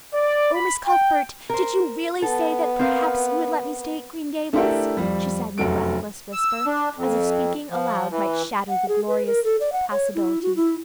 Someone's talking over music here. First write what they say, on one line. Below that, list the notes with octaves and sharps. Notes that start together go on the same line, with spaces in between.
"Oh, Miss Cuthbert, did you really say that perhaps you would let me stay at Green Gables?" she said, in a breathless whisper, as if speaking aloud might shatter the glorious possibility.
D5
B5
G5
A#4 C5
B3 A4
C4 A#4 F5
A3 D4 E4 G4 A4 A#4
F2 G3
F1 F#2 F#4 A4 D7
E6
D4
F2
F3
E3
F#5
G#4
B4
A#4
A4
D5
F#5
C#5
E4
F#4
E4